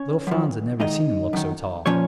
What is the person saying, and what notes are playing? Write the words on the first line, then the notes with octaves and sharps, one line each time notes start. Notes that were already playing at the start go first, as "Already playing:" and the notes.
Little Franz had never seen him look so tall.
Already playing: C#4 C#5
F#2 F3
G#2 D#3 D#4 D#5
F#2 D#3
A#2 F3 C#4 C#5